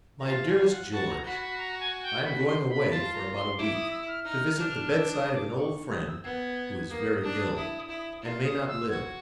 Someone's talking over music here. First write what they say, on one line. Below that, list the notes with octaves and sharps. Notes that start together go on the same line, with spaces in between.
MY DEAREST GEORGE,--I am going away for about a week, to visit the bedside of an old friend, who is very ill, and may not live.
A#5
F4 A5
G#5
F#5
F#4 A5
A#5
F#4 B5
B5
A#5
G#5
G5
B5
C6
B5
F4 A5
A#5
C6
E4 D6
D#6
E6
F6
D#4 F6
D4
E6
D#6
D6
C#6
D#6
E6
B3 G#6
A#3 D#6
D4
E4
E4
F4
D#6
E6
F#4 G#6